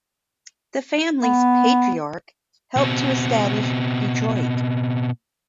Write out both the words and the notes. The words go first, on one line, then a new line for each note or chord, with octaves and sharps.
The family's patriarch helped to establish Detroit.
B3
B2 C4